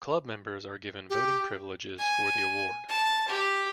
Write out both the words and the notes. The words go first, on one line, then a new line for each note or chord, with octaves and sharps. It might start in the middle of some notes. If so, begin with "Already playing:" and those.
Club members are given voting privileges for the award.
G4
G#5
A5
G4